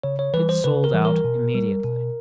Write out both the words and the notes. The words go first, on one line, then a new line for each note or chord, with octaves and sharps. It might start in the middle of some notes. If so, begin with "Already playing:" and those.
It sold out immediately.
C#3 C#5
C#5
E3 G3 B4
C5
C#3 B4
A#4
E3 G3
A#4
B2
G3
B2